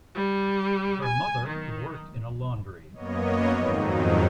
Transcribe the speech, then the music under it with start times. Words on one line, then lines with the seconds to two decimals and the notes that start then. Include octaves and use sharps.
Her mother worked in a laundry.
0.15 G3
1.05 G#5
1.47 D#3
2.93 F#2 A#3 B3 C#5 D#5
3.55 F2 G#2 D#3 F#3 D#4